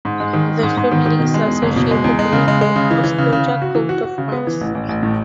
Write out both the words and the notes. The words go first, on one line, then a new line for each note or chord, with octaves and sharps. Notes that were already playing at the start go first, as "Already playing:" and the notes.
The family is associated with the Ostoja Coat of Arms.
G#2
G#3
D#3
G#3
G#2
G#2
D#3
D#3
B2
G#3
E2
F#1
B2
G#3
E2
G#3
C#3
G#3
G#3
C#3
E3
E3
C#3
C#3
C#3
F#4
E3
F#4
F#4
C#3
B3
E3
A1
A1
A1
A2